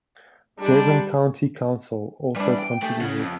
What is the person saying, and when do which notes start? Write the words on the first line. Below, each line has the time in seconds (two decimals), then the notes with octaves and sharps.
Devon County Council also contributed.
0.59 D#3 G3 G#3 D4
2.36 E3 G3 D4
2.59 G5
2.82 A3 G4 G#4
3.01 C#3 C#4 F#5
3.18 F2